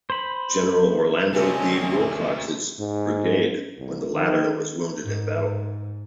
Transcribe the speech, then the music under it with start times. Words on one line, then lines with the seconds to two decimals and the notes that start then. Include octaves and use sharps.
General Orlando B. Willcox's brigade when the latter was wounded in battle.
0.10 C5 B5
1.34 C3 A3 C4 C#4 F#4 D#5 G#5
2.79 G#2
3.79 C2
4.14 D#3
5.04 G#2